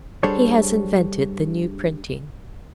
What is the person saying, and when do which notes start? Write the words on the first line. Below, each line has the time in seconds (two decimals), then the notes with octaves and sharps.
He has invented the new printing.
0.23 G3 D4 G#4 A4 C5 C#5